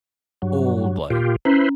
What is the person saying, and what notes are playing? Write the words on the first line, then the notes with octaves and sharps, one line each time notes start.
old, like,
G2 F#3
A#2 F4 G4
C#4 E4 B4 C5